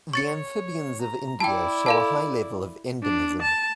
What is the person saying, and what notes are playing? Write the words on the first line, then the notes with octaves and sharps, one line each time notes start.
The amphibians of India show a high level of endemism.
C#5 C#6 A6 C#7
A#5
E4 D5 G5 A5
A4 F5 A5
D4
A5